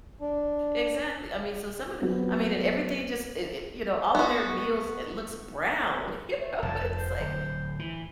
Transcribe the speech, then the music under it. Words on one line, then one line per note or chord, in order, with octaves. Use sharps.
Exactly, I mean, so some of the I mean, and everything just, it it you know, all of their meals, it looks brown, you know, it's like
D4
F#3 B3 C4 F#4
B3 F#4
A3
F1 F2 A5
C5
D1
E3